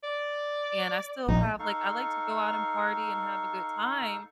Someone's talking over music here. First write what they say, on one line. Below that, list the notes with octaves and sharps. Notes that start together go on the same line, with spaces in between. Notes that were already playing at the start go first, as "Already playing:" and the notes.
and I still have like, I like to go out and party and have a good time,
D5
A#1 D#4
D#4 A4 F5 C#6